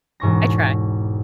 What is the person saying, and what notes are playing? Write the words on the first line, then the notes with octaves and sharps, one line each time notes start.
I try.
E1 G#2 C#6 A#6